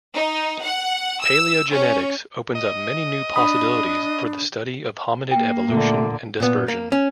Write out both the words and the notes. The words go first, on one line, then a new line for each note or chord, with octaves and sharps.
Paleogenetics opens up many new possibilities for the study of hominid evolution and dispersion.
D#4
F#5
E6
C#4
D#5
D4 B5 D#6
A#3 G5
A#2 D3 A3
A#2 B3
A#3
C#4